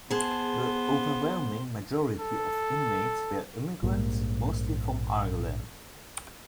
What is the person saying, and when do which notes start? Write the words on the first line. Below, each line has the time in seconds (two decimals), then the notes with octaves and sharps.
The overwhelming majority of inmates were immigrants, mostly from Ireland.
0.10 B3 G#4 C5 A5
2.20 A4
3.83 A#1 G#2 G3 A#3